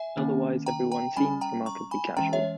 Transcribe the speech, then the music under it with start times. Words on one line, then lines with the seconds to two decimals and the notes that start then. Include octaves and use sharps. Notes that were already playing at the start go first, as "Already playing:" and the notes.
Otherwise every one seems remarkably casual.
Already playing: E5 G#5
0.17 D#3 A#3 C#4
0.66 G5 A#5
0.92 G5 A#5
1.16 G3 C#4 G#5 B5
1.41 G5 A#5
1.66 A#5 C#6
1.91 G#5 B5
2.17 E3 G#3 C#4 G5 A#5
2.33 C#5 E5